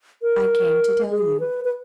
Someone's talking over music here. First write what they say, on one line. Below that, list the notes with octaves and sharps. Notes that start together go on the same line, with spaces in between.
"I came to tell you."
A#4
G#4
B4
B4